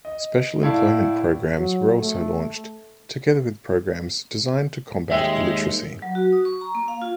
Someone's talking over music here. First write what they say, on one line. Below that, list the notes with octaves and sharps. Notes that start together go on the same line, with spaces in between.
Special employment programmes were also launched, together with programmes designed to combat illiteracy.
D#5
A2 E4 A4 D5 F5
F#3
A3
D#2 G#3 E5 G5
F#3
F#4
D#6
C#6
A#5
A#3
F5
F4